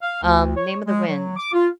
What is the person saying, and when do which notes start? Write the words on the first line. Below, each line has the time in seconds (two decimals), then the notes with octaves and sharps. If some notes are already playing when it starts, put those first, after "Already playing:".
Um, Name of the Wind.
0.02 F5
0.23 D2
0.56 C#5
0.85 G#3
1.07 F#3
1.36 D6
1.53 F4